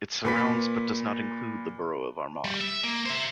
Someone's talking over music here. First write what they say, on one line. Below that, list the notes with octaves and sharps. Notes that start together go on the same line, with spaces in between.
It surrounds but does not include the borough of Armagh.
A#2 B4 B6
G3
E5
A#3
C5 E5